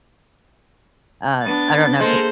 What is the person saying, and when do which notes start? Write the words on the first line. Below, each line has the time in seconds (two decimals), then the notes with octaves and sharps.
Uh, I don't know if you
1.43 B3 D4 A6
2.00 G#3 A#3 A4 C5